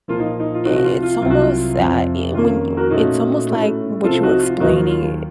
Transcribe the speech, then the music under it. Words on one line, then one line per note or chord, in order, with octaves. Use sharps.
It's almost I I e when it's almost like what you were explaining
A#2 F3 A#3 F4
D#4
D#4
F4
C3 F3 C4 D#4 F#4
F#4
F4
F4
C2 C3 F#3 F4
F#4
F4
F2 C3 F3
F2 D#3 A#3 C#4 F4
F#4 A#4
A#2 A3 C#4 D#4 F#4
A2 A3 C#4
C3 F3 C4 F4 A4
D#4 F#4
F4
D#2 D#3 F#3 A#3 D#4 F#4
F4
F4